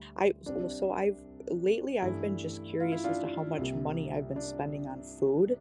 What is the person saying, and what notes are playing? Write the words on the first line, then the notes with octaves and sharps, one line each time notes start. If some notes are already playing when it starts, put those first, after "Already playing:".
I wa s so I've lately I've been just curious as to how much money I've been spending on food,
Already playing: D2 G3
C2 C3 G3 C4 D4
G2 E3 A3 D4 E4
F4
E4
D4 F4
C2 C3 G3 A#3
D4